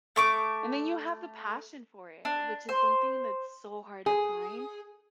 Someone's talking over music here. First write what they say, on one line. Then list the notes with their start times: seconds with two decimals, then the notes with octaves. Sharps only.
And then you have the passion for it, which is something that's so hard to find.
0.16 A3 C#6 D6
2.25 D4
2.69 C5
4.06 G#4